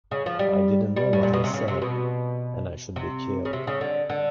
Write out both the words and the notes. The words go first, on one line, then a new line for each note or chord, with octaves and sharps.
I did not know what I said, and I should be killed.
C#3
F3
G3
G3
A2
A#2
B2
C3
C#3
C3
B2
C3
C#3
C3
C#3
D3
D3